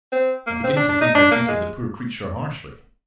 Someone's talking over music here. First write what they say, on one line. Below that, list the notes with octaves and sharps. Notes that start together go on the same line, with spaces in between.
I begin to think I treated the poor creature harshly.
C4
A#3
C4
D4
D4
D#4
D4
A#3
G#3